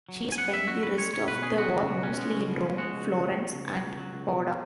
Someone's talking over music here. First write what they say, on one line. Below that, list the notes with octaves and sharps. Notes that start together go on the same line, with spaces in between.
She spent the rest of the war mostly in Rome, Florence, and Padua.
F#3
F#2
G#5
B3 F#5
F#2 E5
F#3 F#4
F#2 B4
G#3 C#5
C#2 C#5
B2 B4
C#4 G#4
G#3 F#4
C#2
B2
C#4
G#3
C#2
B2
C#4
G#3 F#4
C#2
B2
C#4
F#3
C#2
B2
C#2
F#3
C#2
B2